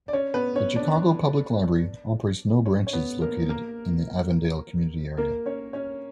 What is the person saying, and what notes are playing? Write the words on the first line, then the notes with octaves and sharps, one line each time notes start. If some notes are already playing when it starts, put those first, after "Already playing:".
The Chicago Public Library operates no branches located in the Avondale community area.
D5
C#4 C#5
B3 B4
C#4 C#5
D4 D5
C#4 C#5
C#5
B3 B4
A#3 A#4
A#3 A#4
A#3 A#4
C#4 C#5
C#4 C#5